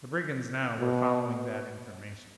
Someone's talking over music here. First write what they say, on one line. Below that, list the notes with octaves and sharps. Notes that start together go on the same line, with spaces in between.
The brigands now were following that information.
B2